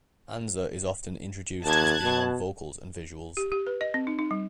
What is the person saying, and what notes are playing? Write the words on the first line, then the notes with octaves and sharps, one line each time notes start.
Anza is often introduced as being on "vocals and visuals".
D#2 A5 F#6 G#6
B2
G4
G4
B4
D#5
C4
D#4
D#4
G3